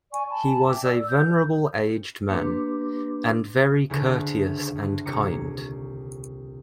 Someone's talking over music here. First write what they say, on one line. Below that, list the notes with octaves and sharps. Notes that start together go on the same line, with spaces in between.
He was a "venerable aged man", and very courteous and kind.
D5 G#5 C#6
G#5 A5 B5
E5 G5 D6
D5 E6
G6
A#3 D4 G4 B4 C6 D6
D2 C#3
D2
D#1 C2 C#5 A#5 D6 C#7